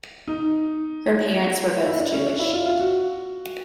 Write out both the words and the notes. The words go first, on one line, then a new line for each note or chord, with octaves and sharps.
Her parents were both Jewish.
D#4
E4
D4
C#4
D4
E4
F4
F4
F#4